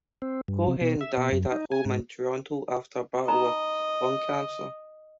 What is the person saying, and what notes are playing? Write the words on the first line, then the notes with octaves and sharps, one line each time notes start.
Cohen died at home in Toronto after a battle with lung cancer.
C4
G2
C3
B2
E5
B2
F#2
D#4
G#5
G#2
D#4 D#5 A#5 B5